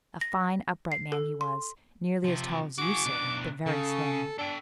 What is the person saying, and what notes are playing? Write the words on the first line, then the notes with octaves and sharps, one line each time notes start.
A fine, upright man he was, nearly as tall as you, sir, but very slim.
A#6
C7
A4
C6
C3 F3
F#4 G#4 D6
B2 D4
C#3 A4
D4 A4 G5